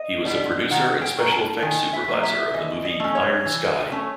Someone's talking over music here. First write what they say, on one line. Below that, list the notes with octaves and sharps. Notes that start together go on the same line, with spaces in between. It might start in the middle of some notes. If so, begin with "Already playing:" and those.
He was a producer and special-effects supervisor of the movie "Iron Sky".
Already playing: D#5
G3 B3 D4
D#3 F#5
G5
F#3 A#3
A5
D#3 G#5
E5
F#3 A#3
E5
E3 D#5
D#5
A3 C#4
C#5
E3
A3 C#4